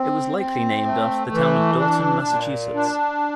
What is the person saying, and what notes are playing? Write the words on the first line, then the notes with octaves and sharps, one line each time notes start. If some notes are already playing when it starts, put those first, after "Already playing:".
It was likely named after the town of Dalton, Massachusetts.
Already playing: C4
C4
A3
E3
D4
A#2
D4